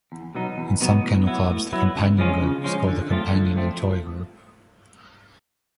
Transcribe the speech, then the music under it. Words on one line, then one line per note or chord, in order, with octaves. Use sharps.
In some kennel clubs the "Companion Group" is called the "Companion and Toy Group".
E2
B2 F#3 B3 D#4
E2
B2 F#3 B3 D#4
A2
F#3 B3 E4
A2
F#3 B3 E4
C#3
F3 G#3 C#4 F4
C#3
F3 G#3 C#4 F4
D3
F3 A3 C4 F4
D3
F3 A3 C4 F4